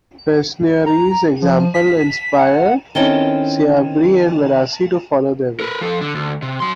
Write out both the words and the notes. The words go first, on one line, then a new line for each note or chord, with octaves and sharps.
Pesniary's example inspired Siabry and Verasy to follow their way.
A#5
F3
B6
F#5
D#3 C4 C#4 E4 A4 A#4
A#4 B4
F3 A4
D3
D2
C3
F#3 C6